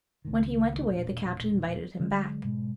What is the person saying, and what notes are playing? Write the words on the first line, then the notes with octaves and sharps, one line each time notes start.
When he went away the Captain invited him back.
C#2 A2 D#3
E1 A#2 D4
D3 F#3 G#3
G#2 B2 G#3